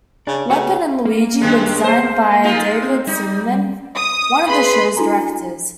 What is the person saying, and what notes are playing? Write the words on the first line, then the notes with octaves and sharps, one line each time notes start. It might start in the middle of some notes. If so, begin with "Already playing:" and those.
Leopold and Luigi were designed by David Silverman, one of the show's directors.
C#3 D4
C#3 A3 B3 F#4
A#3
F#2 D#3 G#3
C5
G#3 D#4 F4
C4
G3 D#4
D#6
G#4 B4 B5 C6
D4 E4 F#4 A4 G#5 A#5